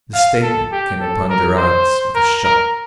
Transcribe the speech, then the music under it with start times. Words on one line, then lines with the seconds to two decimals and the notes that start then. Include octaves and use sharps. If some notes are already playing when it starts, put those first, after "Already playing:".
The statement came upon Durrance with a shock.
0.13 F5
0.43 A4
0.72 G4
1.00 A4
1.29 A#4
1.57 C5
2.15 A#4
2.44 A#4